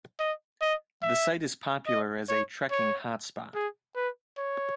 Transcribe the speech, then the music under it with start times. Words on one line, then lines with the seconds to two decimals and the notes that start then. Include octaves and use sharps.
The site is popular as a "trekking hotspot".
0.19 D#5
0.62 D#5
1.02 E5
1.87 D#5
2.29 C#5
2.71 C#5
3.55 G#4
3.96 B4
4.38 C#5